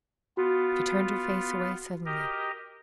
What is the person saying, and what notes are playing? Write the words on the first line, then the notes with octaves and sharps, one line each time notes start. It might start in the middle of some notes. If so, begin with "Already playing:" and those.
She turned her face away suddenly.
B3 F4 F#4
G4 A#4 D#5